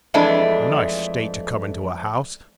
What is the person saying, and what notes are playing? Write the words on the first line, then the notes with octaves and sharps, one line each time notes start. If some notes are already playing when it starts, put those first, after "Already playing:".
A nice state to come into a house!
F2 E3 G#3 A3 D4